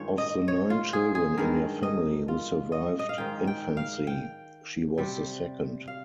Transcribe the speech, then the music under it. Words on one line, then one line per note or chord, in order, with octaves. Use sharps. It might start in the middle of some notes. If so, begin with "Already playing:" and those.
Of the nine children in her family who survived infancy, she was the second.
Already playing: G2 D#3 G#3 F4 C#5
D#5
C#5
F4
G#4
G#4
G2 D#3 G#3 A#4
D#5
F4
D#5
D#5
F5
G#2 D#3 G#3 G5
G5
F5
G5
C3 G3
F5